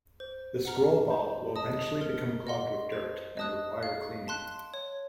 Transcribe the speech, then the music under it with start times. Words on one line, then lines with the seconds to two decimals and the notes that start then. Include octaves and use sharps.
The scroll ball will eventually become clogged with dirt and require cleaning.
0.20 C5
0.65 F#5 A#5 F6
1.10 C5
1.56 D#5 A5 D#6
2.01 A#4
2.47 D#5 F#5 C6
2.92 C5
3.37 D#5 A5 D#6 F#6
3.83 F5
4.28 A5 C6 F#6
4.74 C#5